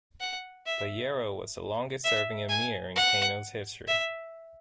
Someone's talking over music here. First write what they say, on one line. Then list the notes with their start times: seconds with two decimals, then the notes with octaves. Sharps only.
Bayero was the longest-serving emir in Kano's history.
0.20 F#5
0.66 E5
2.04 E5
2.49 G#5
2.96 F#5
3.88 E5